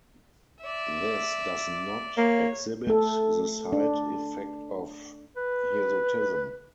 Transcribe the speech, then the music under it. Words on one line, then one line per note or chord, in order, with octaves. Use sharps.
This does not exhibit the side effect of hirsutism.
D5 E5
A#3 C#5
A3 A4
D4
B4